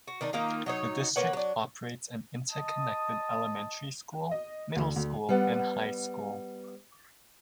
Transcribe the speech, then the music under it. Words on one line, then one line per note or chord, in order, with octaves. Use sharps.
The district operates an interconnected elementary school, middle school, and high school.
F#4
D#3 D4 D#4
D#3 A#3 D#4 F4
F#3 D#4 C#5
A#3 B4 C#5 F#5
F#3 D4
D#5 A5 D#6
D#5
D2
D2
G3 B3 F#5